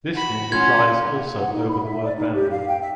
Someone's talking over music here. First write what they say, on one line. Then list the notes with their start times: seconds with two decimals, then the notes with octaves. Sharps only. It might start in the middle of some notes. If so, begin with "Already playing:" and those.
This rule applies also over the word boundary.
0.13 F#4 B5
0.52 C#4 F4 C#5 F#5 C6 G#6
1.37 F#5
1.53 D#4
1.68 B5
1.84 E5
2.04 D5
2.17 D#4
2.34 G4
2.50 F5
2.68 G5
2.82 E5